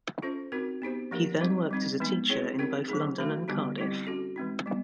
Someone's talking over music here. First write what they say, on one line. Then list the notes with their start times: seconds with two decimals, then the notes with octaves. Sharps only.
He then worked as a teacher in both London and Cardiff.
0.22 C#4 F4 A4 C5
0.52 C4 D#4 F#4 A#4
0.82 B3 D#4 G4 C5
1.11 F3 A#3 D4 G4 A#4
1.40 G3 C4 D#4 G4 C5
1.71 G3 C4 D#4
2.00 E3 G#3 B3 D#4
2.29 C4 E4 G#4 C#5
2.59 C4 D#4 G4 A#4
2.88 F#3 A#3 D#4 G#4
3.18 E3 A3 D4 F#4 A4
3.48 D3 G3 B3 D#4 G4
3.78 G3 C4 E4 G4
4.07 C#4 F#4 A4
4.36 E3 G#3 C4 D#4
4.66 G3 B3